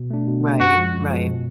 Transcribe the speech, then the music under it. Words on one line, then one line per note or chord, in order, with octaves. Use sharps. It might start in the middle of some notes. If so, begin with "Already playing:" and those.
Right, right.
Already playing: B2
A3 D4
B2
A3 D4
F#2 F#4
F3 G#3
F#2
F3 G#3
B2